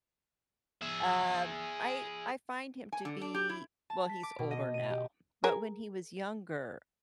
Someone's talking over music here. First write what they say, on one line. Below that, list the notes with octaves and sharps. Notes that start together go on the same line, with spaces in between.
um, I I find him to be well, he's older now, but when he was younger,
G#4 E5
G#5
D3
D4
G4
E4
A5
B6
D6
B2
D#5
D#7
G4
G#4 A#4